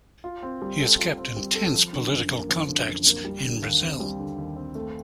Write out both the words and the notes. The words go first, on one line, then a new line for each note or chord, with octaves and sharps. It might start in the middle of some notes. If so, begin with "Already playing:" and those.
He has kept intense political contacts in Brazil.
F4
C4
G3
A4
F4
C4
G3
A4
F3
D3
F#2
A#3
F3
D3
F#2
A#3
G3
D3
D#2
C4
G3
D3
D#2
C4
A3